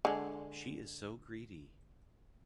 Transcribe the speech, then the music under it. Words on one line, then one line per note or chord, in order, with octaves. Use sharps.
She is so greedy!
D3 G#3